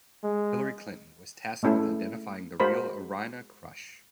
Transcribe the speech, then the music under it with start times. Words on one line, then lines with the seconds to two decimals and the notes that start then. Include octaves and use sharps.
Hillary Clinton was tasked with identifying the real Irina Krush.
0.24 G#3
1.63 G#3 A3 C#4 E4 A4
2.60 G#3 F#4 A#4 C5 B5